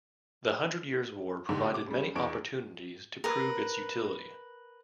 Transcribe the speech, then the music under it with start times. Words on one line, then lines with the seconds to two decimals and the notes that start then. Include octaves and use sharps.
The Hundred Years War provided many opportunities to prove its utility.
1.49 G#2 B2 D3 D#4 G4
1.71 C3 D6
1.87 C#2 G3
2.15 E2 E3 D4 C#6 D7
3.24 A#4 B4